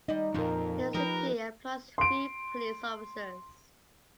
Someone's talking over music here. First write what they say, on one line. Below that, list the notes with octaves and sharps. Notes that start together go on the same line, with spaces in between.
The city employs three police officers.
G3 D#4 D5 D#5
F2 A#2 F3 D#4 A#4
F3 D#4 G4 A#4 B4
C6 D7